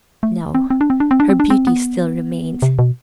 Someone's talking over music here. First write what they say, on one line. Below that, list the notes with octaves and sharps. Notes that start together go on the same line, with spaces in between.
No! her beauty still remained.
A3
C4
C4
D4
C4
D4
C4
D4
C4
D4
C4
B3
C3
B2